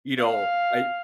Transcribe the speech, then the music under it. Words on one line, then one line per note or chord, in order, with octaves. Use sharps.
you know, I
F5